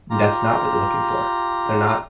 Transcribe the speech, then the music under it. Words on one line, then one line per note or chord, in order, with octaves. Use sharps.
that's not what they're looking for. They're not
F4 G4 A#5